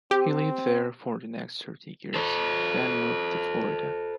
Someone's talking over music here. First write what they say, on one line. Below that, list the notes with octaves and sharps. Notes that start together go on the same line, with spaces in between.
He lived there for the next thirty years, then moved to Florida.
C4 G4
A4 C5